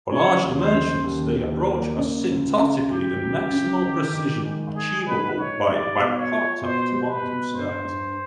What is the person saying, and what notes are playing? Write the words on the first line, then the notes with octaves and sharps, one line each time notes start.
For large dimensions they approach asymptotically the maximal precision achievable by bipartite quantum states.
C#3 C#5
D#2
C5
C#3
D#2
D#2
A#3
C#3
C#2
C#3
F#3 G4
C#2
C#3
D#3
D#3
G#3
G#3 G#4
D#4 B4
D#4 C#5
G3 D5
B2
C#5
F4
B2 C5
G3
B4
B2
G2 C5
G2